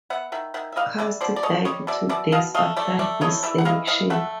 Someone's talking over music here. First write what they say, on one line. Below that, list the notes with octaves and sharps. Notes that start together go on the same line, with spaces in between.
Cust died two days after this election.
B3 E5 F#5
D#3 E5 F#5
D#3 E5 F#5
E5
G3 D#5 F5
G3 D5 E5
B2 C5 D5
D5
B2 C#5 D#5
G3 C#5 D#5
B2 D5 E5
B2 D5 E5
B2 D#5 F5
A3 D#5 F5
A3 D5 E5
A3 D5 E5
E3 C#5 D#5
E3 D5 E5
F#5
E3 D#5 F5
E3 D#5 F5
A3 E5 F#5